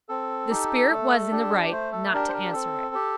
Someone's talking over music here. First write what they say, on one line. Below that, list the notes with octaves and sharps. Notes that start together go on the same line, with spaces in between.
The spirit was in the right not to answer it.
C4 A4
D#4 G4
A3
D4 G4
A3 C5
A4
D4 G4 A#4
C5
A#4
C4 A4
G4